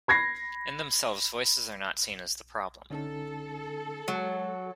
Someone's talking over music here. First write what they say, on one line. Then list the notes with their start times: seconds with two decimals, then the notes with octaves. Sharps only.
In themselves voices are not seen as the problem.
0.08 B5 G#6 A#6 C7
2.90 D3 C#4 D#4 A4
4.08 F#3 G#3